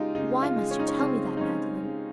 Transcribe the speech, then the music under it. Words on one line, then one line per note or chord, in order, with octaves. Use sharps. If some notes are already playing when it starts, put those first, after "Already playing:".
"Why must you tell me that, Magdalen?"
Already playing: C#3 G#3 D#4 F4 G4
C#3 D#4
F4
G#3
C#4
D#4
C#4
C#3 C4
D#4
G#3 C#4
C#3